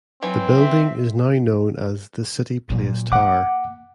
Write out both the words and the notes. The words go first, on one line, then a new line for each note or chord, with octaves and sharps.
The building is now known as the "City Place Tower".
E3 F#3 C4
E5
A#2 F#3
A#3 F#5 D6